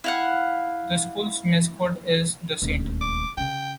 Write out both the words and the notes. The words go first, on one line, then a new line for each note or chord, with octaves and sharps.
The school's mascot is the saint.
E4 F5 F#5
D#1 D2
D6
C#3 C#4 G5